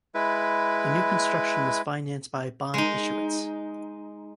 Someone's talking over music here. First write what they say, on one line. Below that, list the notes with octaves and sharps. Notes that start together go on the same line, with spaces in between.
The new construction was financed by a bond issuance.
G#3 E4 B4
G#3 D#4